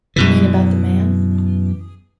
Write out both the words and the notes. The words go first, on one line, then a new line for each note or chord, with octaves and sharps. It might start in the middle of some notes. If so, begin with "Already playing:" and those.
You mean about the man?
F#2 B2 E3